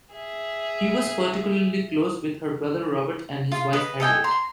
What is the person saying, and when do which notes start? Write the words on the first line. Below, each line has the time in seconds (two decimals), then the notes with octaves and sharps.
He was particularly close with her brother Robert and his wife Harriot.
0.12 G#4 E5
3.52 F4
3.73 B4 D#5
4.00 A4 D#5 G5 G#5
4.24 A#5 C6